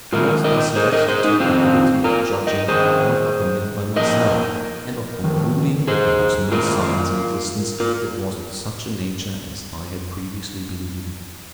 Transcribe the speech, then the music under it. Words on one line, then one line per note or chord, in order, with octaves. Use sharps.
I was thus led to take the liberty of judging of all other men by myself, and of concluding that there was no science in existence that was of such a nature as I had previously been given to believe.
G#2 D#3 F4 A#4
A#4 D#5
G#4 C5
A#4 D#5
G#4 C5
D#4 G#4
F2 D#3 C4 F4
F4 A#4
A#4 D#5
F2 D#3 G#4 C5
A#2 F3 A#4 D#5
F2 D#3
G#4 C5
G#2 D#3 F4 A#4
F4 A#4